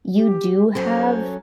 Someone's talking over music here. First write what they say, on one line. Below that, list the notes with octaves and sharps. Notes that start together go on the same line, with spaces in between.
you do have
G4
F#3 C#4 A4 C5